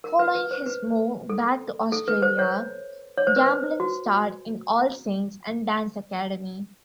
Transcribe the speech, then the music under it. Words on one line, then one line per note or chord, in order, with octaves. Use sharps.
Following his move back to Australia, Gamblin starred in "All Saints" and "Dance Academy".
A#4
B4
B4
C5
B4
A4
A4
B4
C5
C#5
C#5
C5
B4
C5
F#4